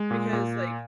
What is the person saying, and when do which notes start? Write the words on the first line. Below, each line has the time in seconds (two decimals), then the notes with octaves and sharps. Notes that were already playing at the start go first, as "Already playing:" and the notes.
because like
Already playing: G#3
0.11 A#2
0.33 A#2